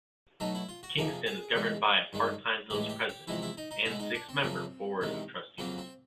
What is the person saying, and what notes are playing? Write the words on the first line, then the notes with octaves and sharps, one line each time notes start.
Kingston is governed by a part-time Village President and six-member Board of Trustees.
B2 F#3 A3 D#4
E4
F4
F#4
F2 C3 F3 A#3 G#4
G#4
E2 B2 G#3
G2 D#3 G#3
A2 E3 G#3 G4
G4
G4
E2 C3 F3 G#3 E4
E4
D#4
D#4
B2 G#3 E4
D#4
D4
C4
F#2 C#3 F3 A#3
E2 C3 D#3 G#3
F2 C#3 F#3 A#3 C4
C4